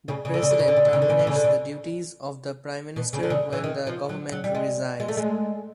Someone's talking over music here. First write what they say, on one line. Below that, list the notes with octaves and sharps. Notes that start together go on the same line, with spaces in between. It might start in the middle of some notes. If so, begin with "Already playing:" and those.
The President terminates the duties of the Prime Minister when the Government resigns.
C#3
C#3
D3
C#3
D3
C#3
D3
C#3
D3
C#3
D3
C#3
D3
C#3
D3
C#3
B2
C#3
D3
C#3
E3
D#3
F3
F#3
F#3
G3
G#3
G#3
A3
G#3